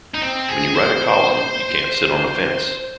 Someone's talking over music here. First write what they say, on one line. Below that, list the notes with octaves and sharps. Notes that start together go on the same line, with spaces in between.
When you write a column, you can't sit on the fence.
D#4
C4
G#4
C5